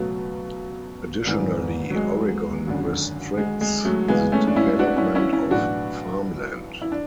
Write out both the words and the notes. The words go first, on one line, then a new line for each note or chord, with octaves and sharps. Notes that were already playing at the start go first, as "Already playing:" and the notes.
Additionally, Oregon restricts the development of farmland.
Already playing: C#2 B2 F#3 A3
G#1 G#2 E3
F#3
G#3
G#1 F#2 D3
G#3
G#3
F#3 A3
C#2 C#3 E3 G#3 B3
A3 C#4
D4
C#4 E4
D4 F#4
C#4 E4
C#4 E4
C#4 E4
B1 A2 E3 D4 F#4
E4
D4